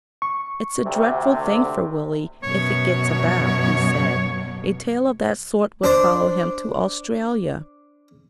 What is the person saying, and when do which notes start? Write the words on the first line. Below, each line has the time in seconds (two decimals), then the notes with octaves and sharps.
'It's a dreadful thing for Willie, if it gets about,' he said; 'a tale of that sort would follow him to Australia.'
0.22 C#6
0.85 D2 C3
2.43 F#2 B2 C#5
5.84 D4 C5 D5